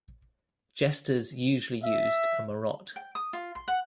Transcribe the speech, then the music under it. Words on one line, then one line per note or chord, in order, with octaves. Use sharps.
Jesters usually used a marotte.
E5
G5
D#6
F4
C6
F#5